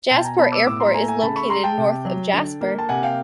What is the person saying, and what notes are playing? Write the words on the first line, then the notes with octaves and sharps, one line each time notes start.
Jasper Airport is located north of Jasper.
B2 G5 A5
G#5 A#5
B3 A5 B5
D6 E6
A2 D6 E6
A#5 C6
A3 G#5 A#5
G#5 A#5
C#3 A5 B5
B5 C#6
G#3 A#5 C6
G5 A5
C3
F#3
D3
A#3
A5
C3 F#5 G#5
F5 G5